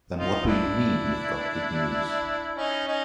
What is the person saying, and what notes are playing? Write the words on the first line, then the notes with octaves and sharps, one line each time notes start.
Then what do you mean you've got good news?
D#4 F4
D4 E4
C#4 D#4
C#4 D#4